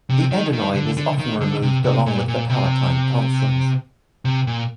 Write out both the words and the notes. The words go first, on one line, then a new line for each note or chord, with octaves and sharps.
The adenoid is often removed along with the palatine tonsils.
C3
D#3
D#3
D3
D3
D#3
D3
C3
C3
A#2
A#2
C3
C3
A#2